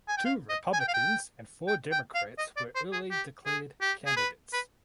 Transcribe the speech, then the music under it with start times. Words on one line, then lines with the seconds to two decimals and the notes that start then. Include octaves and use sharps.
Two Republicans and four Democrats were early declared candidates.
0.08 G#5
0.17 G5
0.25 F5
0.49 D#5
0.73 G#5
0.80 G5
0.88 F5
0.94 G5
1.68 G5
1.92 G5
2.15 F5
2.38 D#5
2.57 D5
2.75 C5
2.92 G#4
3.11 G4
3.46 G#4
3.81 G4
4.06 G#4
4.17 B4
4.53 B4